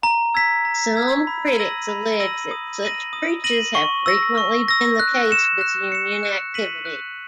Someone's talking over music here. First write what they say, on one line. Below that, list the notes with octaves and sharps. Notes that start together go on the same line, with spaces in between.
Some critics allege that such breaches have frequently been the case with union activity.
A#5
E6 G#6 B6
A#5
E6 G#6 B6
B5
E6 A#6 D#7 F#7
B5
E6 A#6 D#7 F#7
D#6
A#6 D#7 F#7
D#6
A#6 D#7 F#7
C#6
E6 A#6
C#6
E6 A#6
F#6
C#7 E7
F#6
C#7 E7
F#6
B6 D#7 F#7
F#6